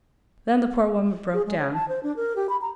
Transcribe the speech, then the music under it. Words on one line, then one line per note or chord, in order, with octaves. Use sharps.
Then the poor woman broke down.
G#4
G#3
C#5
A5
C5
D4
A#4
G4
B5
A#5